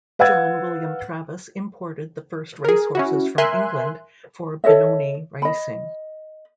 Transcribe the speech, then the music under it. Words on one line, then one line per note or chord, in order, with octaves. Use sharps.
John William Travis imported the first race horses from England for Benoni racing.
B4 F5 F#5 E6 G#6 A6
G#4 A#4
C#4 E4 F#4
A#4 E5 G#5 C6 F#6
A4 C#5 D#5 E5
D#5 B5